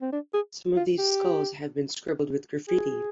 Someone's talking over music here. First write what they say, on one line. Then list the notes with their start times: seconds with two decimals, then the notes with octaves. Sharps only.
Some of these skulls have been scribbled with graffiti.
0.02 C4
0.13 D4
0.34 G#4
0.77 F4
0.98 G4
2.68 G#4